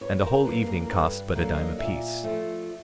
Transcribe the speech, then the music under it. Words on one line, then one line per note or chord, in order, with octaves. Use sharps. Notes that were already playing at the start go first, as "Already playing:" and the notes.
And a whole evening costs but a dime apiece.
G2 B4 C#5
A#4 C5
D3 F#3 A#3 A4 B4
G#4 A#4
A#4
G2 A4 B4
D3 F#3 A#3 F5
D#5 F5
A#2 D5 E5
F3 A3